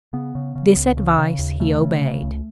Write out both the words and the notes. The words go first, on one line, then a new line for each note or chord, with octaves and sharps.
This advice he obeyed.
C#3 B3
C#3
C#3
C#2
C#3
C#3
D#2
C#3 A3
C#3
C#3
C#2